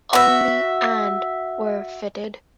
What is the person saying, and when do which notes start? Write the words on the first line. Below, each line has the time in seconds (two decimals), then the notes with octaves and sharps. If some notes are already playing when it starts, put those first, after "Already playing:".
Only and were fitted.
0.13 F#4 E5